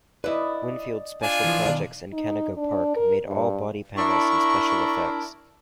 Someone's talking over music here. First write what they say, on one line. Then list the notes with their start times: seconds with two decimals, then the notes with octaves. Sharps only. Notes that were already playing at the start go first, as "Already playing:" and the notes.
Winfield Special Projects in Canoga Park made all body panels and special effects.
0.24 E4 B4 D5 D#5
1.23 D4 F4 G#5
1.44 E3 F3
1.66 B1 D#3 D5
2.13 D#4
2.57 D4
2.97 A#4
3.27 G2
3.97 D4 E4 A#4 C#6